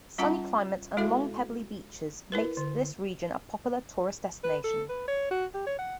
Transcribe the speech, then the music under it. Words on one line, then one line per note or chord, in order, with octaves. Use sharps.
Sunny climate and long pebbly beaches make this region a popular tourist destination.
G3 C#4 F4 F#5 A5 A#5
G#3 E4 F#4 A4 E5
E4 A#4 B4
D3
B4
A4
B4
C#5
F#4
G4
C#5
F#5